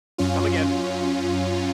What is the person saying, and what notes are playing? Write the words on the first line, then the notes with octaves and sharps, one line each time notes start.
come again."
F#2 C#4 F4